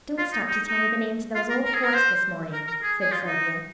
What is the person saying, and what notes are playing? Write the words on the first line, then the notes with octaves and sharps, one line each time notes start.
"Don't stop to tell me the names of those old forts this morning," said Sylvia.
F4
D#4
D#4
D#4
F4
A#4
A#4
G#4
A#4
C5
A#4
A#4
G#4
G#4
F4
D#4